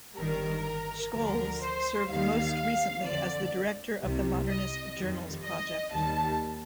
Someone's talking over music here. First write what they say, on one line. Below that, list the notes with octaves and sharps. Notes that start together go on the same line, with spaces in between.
Scholes served most recently as the director of the Modernist Journals Project.
G1 G2 D#3 G3 A#4
D2 D3 F3 A#4
C5
D#2 D#3 G3 F5
F2 D3 F3 D5
C2 C3 G3
D#5
F2 D#3 G3
D#5
D#2 D#3 G3 A5